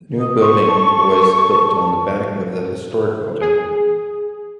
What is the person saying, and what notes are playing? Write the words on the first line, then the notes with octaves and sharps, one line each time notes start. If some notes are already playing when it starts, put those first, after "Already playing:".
The new building was built on the back of the historic building.
D#5
C5 C#6
A4
G#4